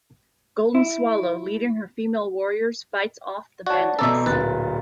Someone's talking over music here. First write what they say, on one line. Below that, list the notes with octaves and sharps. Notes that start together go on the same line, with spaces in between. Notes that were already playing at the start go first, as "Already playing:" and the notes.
Golden Swallow, leading her female warriors, fights off the bandits.
E4
F#4 C#5 D5 A5
B2 C4 A4 D5 E5 A#5
D1 A#2 B4 A6